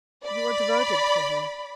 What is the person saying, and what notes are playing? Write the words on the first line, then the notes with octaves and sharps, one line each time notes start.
"You are devoted to him."
D5 B5